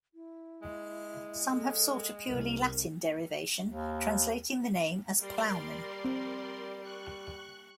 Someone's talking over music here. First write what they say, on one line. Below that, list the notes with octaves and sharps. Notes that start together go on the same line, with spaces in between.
Some have sought a purely Latin derivation, translating the name as "plowman".
E4
G#3
A4
C2 C3 A#4
D#2
G3 A#4 D5 C6
C4
C#6 F#6